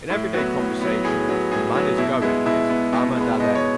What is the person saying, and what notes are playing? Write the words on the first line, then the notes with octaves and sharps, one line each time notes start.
In everyday conversation 'the man is going' is "bama dhaday".
A2 E4
F#3 B3 F#4
A2
F#3 B3
A2 G#4
F#3 B3
A2 G#4
F#3 B3
B2 E4
G#3 B3 E4
B2 E4
G#3 B3
B2
G#3 B3
B2 D#5
C#5